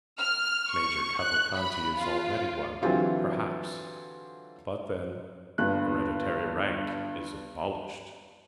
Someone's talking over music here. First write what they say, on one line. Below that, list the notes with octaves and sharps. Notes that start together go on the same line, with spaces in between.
"Major Cavalcanti is already one, perhaps; but then, hereditary rank is abolished."
F6
C#6
F#6
B5
F4
D3 E3 F#3 C4 F4 G4
G1 G2 F#6